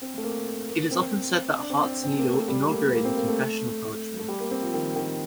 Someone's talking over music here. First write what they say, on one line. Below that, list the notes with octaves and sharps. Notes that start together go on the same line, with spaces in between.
It is often said that "Heart's Needle" inaugurated confessional poetry.
C4
A3
A#3
A#3
C4
D4
C4
C4
C4
A#3
A3
G3
A#3
A3
A#3
C4
A#3
A3
A3
G3
A#3
C4
F3
D#3
D#3